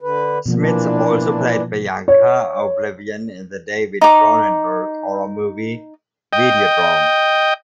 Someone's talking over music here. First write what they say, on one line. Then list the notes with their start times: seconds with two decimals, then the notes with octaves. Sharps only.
Smits also played Bianca O'Blivion in the David Cronenberg horror movie "Videodrome".
0.01 D3 B4
0.46 B2 D3 F3 A#3
0.59 A#2 E3 D4
2.08 C#5
4.01 D#4 D6
6.33 D#5 G5